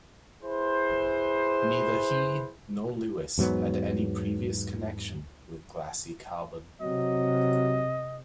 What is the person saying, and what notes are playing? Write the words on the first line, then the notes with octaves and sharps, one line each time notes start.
Neither he nor Lewis had any previous connection with glassy carbon.
E4 G#4 B4 C5
E2 G#2 F#3 B3
C3 F#3 D#5